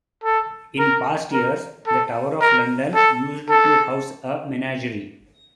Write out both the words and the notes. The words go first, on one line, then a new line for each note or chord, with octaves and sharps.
In past years, the Tower of London used to house a menagerie.
A4
A#4
A#4
A4
A#4
A4
A4